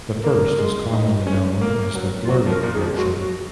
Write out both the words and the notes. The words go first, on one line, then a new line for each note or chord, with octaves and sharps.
The first is commonly known as the "blurry" version.
A#3 A#4
G#3
D#4
C#4
A#3 A#4
F#3
F4
F#3 F#4
F3
A#4
A#2
D#3 G#4
F3
G#3
F#3 F#4
F#4